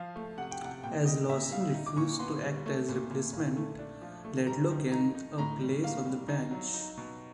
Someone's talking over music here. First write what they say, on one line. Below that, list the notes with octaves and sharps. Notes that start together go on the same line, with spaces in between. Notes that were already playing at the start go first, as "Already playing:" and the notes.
As Lawson refused to act as replacement, Laidlaw gained a place on the bench.
Already playing: F3 F5
A3
C3 F#5
G5
C3 F#5
A#2 G5
G3 D#5
A#2 E5
G3 F5
D#4
D6
A#2 C#6
B3 C6
G3
A3
A#2
A#2
A#2
A3
D4
F3
A3
G3 A#5
D#3
D#4 A#5
D#4
A2 A#5
G3
A#3 F5
G3
D#4
F#3
D#4
B2